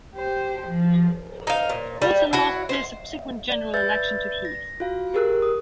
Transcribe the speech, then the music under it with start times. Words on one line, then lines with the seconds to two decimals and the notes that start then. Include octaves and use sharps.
Wilson lost the subsequent General Election to Heath.
0.14 G4 C5
0.66 F3
1.47 D#4 F5
1.69 A#2
2.02 G3
2.33 E4 F#4 F#5
2.69 C5
3.49 D5
3.74 B4 D5 E5 E6 G6 A6
4.45 A#6
4.80 F4 F#4 F5
5.14 G4 G#4 A#4 E6 F#6
5.42 D#6